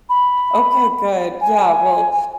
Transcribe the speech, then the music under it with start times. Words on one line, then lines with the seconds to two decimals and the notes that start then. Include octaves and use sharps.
Okay, good, yeah, well,
0.10 B5
1.41 G#5